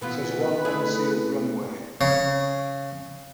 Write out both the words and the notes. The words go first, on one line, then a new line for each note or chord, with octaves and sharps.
It has one unsealed runway.
E3 B3 F4 B4
A3 E4 G#4
C#3